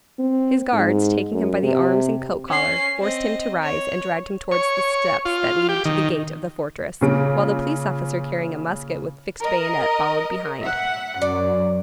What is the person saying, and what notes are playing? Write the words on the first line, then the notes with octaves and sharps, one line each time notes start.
His guards, taking him by the arms and coat-collar, forced him to rise, and dragged him towards the steps that lead to the gate of the fortress, while the police officer carrying a musket with fixed bayonet followed behind.
C4
G#2
F#2
C3
C#4 C7
C4 D#5
C#5
C#5
F4
G4
D#3
A#2 C#3 D7
A#4 D#5
E5 F#5
F#2 D5